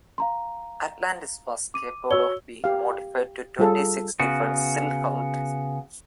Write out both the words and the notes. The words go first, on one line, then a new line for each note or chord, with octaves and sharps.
"Atlantis" was capable of being modified to twenty-six different silhouettes.
F5 A#5 C6
D6 D#7
F#4 C#5 E6 G7
G4 F5
G3 F4 G#4 A4
C#3 B3 F#4